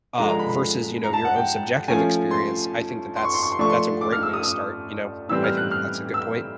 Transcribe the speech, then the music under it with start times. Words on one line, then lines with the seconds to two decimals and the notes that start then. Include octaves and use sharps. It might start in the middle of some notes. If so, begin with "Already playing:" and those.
uh, versus, you know, your own subjective experience, I think that that's that's a great way to start, you know? I think that that's a good point.
0.18 D3 F3 G#3 A#5
0.29 A#5
0.39 B5
0.50 B5
1.03 A#5
1.13 A5
1.25 F#5
1.36 G5
1.88 F3 A3 C#4 G#5
2.31 C6
3.16 C6
3.25 C#6
3.34 C6
3.43 C#6
3.52 C6
3.59 F3 A3 D4 C#6
3.70 C6
4.01 D6
4.12 F6
4.23 E6
4.33 D#6
4.43 D#6
5.29 A2 E3 G3 C4 E6
5.44 F6
5.57 F#6
5.71 F6
6.14 E6